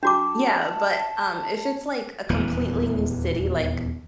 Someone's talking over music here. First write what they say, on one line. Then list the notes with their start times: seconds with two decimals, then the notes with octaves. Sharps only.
Yeah, but, um, if it's like a completely new city, like
0.03 D4 F#4 A5 D6
2.29 D#1 E2 E3 B3